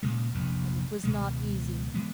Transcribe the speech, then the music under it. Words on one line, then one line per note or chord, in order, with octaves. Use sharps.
But it was not easy.
A#2 C#3 G#3
F1 A#1 E2
C#2 B2 D#3 G#3
E3 G#3 B3